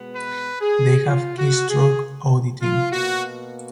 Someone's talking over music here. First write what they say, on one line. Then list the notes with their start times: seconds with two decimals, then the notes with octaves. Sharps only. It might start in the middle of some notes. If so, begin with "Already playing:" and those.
They have keystroke auditing.
Already playing: B2 G#3 B3
0.15 B4
0.61 G#4
1.08 F4
1.38 F#4
1.69 G#4
2.61 F4
2.92 B2 A#3 F#4